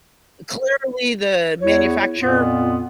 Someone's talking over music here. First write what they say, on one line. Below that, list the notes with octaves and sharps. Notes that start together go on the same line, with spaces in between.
clearly the manufacturer
E2 E4 C#5
F2 A#2 B3 F4